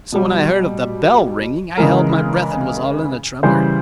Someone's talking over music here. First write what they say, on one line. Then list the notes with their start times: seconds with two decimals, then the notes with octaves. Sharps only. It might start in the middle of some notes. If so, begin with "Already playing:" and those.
So when I heard of the bell-ringing, I held my breath and was all in a tremor.
0.12 B2 G3
1.77 C#3 E3 G#3 A#4
3.43 C#3 E3 G3 C5